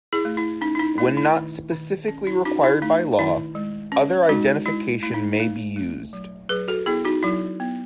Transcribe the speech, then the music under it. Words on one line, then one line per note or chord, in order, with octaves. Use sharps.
When not specifically required by law, other identification may be used.
E4 G#4
A3
E4
C#4 D#4
E4
D#4
A3 E4
E4
D#3
D#3
C#4
E4
C#4 D#4 F#4
E4
A3 D#4
D#3 E4
G#3
C#4
G#3 D#4 F#4
G#3 E4
A3 E4
D#4
A3 D#4
A3
F#3
F#3 G#4 B4
F#4 A4
B3 E4 G#4
D#4 F#4
F#3 E4
B3